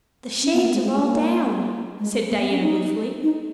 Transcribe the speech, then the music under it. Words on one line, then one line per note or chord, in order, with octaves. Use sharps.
"The shades are all down," said Diana ruefully.
C#4
B3
A#3
G#3
G#3
G#3
A#3
G#3
A#3
B3
C#4
D#4
D#4